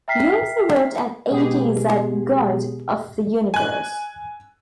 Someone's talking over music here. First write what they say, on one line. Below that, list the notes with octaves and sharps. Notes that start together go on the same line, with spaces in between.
He also wrote an A-Z guide of the Universe.
E5 G5 A#5 F6 B6 C7
B2 G#3 B3 G4 G#4
G#5 F#6